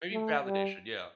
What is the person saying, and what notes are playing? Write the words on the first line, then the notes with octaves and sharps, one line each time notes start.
Maybe validation, yeah.
A3
G3